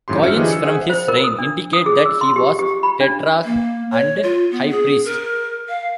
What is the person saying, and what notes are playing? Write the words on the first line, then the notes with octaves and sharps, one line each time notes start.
Coins from his reign indicate that he was "tetrarch and high priest".
G#1 F#2 A2 G4 C6
D3 F#4 C5 E5 F6 C#7
E3 D4 F4 G4 G#4 D#5
E6 C#7
G#4 C5 E5 F#5
C5
A#4
D#6
D4
D#6
G#4
E6
C6
G4
G4
B5
D4
A#3
C#5
F4
B3
G#4
A#4
F5